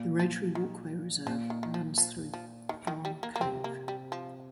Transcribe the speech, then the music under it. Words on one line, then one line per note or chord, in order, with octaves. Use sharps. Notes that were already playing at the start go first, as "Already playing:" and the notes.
The Rotary Walkway Reserve runs through Farm Cove.
Already playing: A#2
F3
D#3
A#2 F3
D#3
D#3
F3
F3
F3
D#3
D#3
G3
A#3
A#3
C3 C4
A#3
G3
F3